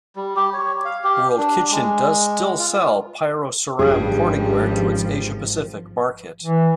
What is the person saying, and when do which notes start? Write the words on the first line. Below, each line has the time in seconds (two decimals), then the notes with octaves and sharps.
World Kitchen does still sell Pyroceram Corning Ware to its Asia-Pacific market.
0.16 G3
0.36 G4
0.54 C#5
0.85 F5
1.04 G4
1.37 D4
1.71 G#3
2.58 F4
3.79 G#1 G2 C#3 F3 G3 G#4
6.44 E3